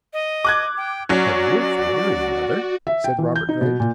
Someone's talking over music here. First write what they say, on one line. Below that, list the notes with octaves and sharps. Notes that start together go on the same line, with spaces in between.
"Have you a father and mother?" said Robert Grant.
D#5
D6 F#6 G#6
G5
F#3 C#4 F#4 D5
E5
G5
E3
G6
D#4
B2
A#2